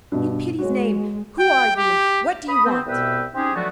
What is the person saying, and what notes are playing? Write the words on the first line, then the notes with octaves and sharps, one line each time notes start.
"In pity's name! who are you and what do you want?"
G2 B2
G#3 F#4 C#5
G5
G4
B5 D#6
B3 C4
C2 B2 B3 B4 E5 G5
C4 C#4 D#4 G4 G#4
D3 F3 F#3 A3 B3 F#4